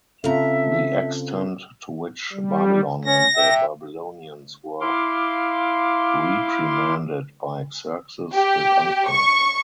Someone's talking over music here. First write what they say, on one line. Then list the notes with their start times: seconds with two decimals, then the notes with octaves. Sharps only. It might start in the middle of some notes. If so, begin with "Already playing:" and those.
The extent to which Babylon and the Babylonians were reprimanded by Xerxes is unclear.
0.24 C#3 C4 F4 A4 E5 A#5
2.33 G3
3.05 C#4 A#6
3.37 E5 G5
4.81 E4 F5 C6 D6
8.34 G4
9.11 C#6